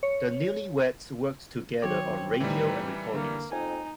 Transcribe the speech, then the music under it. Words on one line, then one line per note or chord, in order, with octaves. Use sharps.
The newlyweds worked together on radio and recordings.
C#5
D#3 F#3 C4 C#5 D6
A2 E3 G3 D#4 B4
D3 A#3
F2 D#4 G#5